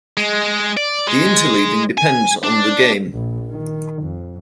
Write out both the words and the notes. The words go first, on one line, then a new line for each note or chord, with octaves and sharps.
The interleaving depends on the game.
G#3
D5
G#3
G#5
D4
A#1
D#3
F2